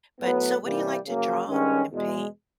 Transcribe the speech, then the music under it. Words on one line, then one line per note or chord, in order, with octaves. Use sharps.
But so, what do you like to draw, and paint?
A2 F#3 B3
C3 E3 G3 A#3
C#3 F#3 A#3
G2 D#3 G#3 C#4
E2 B2 G#3